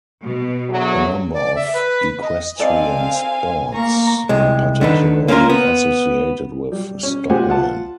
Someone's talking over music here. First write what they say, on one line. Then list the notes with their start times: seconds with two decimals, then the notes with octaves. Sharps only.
A number of equestrian sports are particularly associated with stockmen.
0.23 B2
0.70 E2 D3 F#3
1.33 D5
1.56 E5
1.73 B4
2.22 D#5
2.59 C4 A4 D5 D#5 F5 G#5
3.75 A#3 A#5 C#6
4.29 C2 G#3
4.81 D3 D#3 B4
5.28 A#3 C#4 E4 F4 A#4
5.50 B3
6.72 G3
7.03 C#4
7.30 G#3 F4 G4 C5 F#5 G#5
7.49 F4 F#5 A5